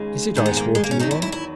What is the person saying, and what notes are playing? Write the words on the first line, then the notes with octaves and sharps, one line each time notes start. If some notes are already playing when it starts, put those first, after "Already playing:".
"Is it ice-water you want?"
Already playing: D#2 C#3 G#3
G#2 D#3 G#3
B3
A#3
G#3
A#3
C#4
E2 D#3 F#3 D#4
E4
E4
E4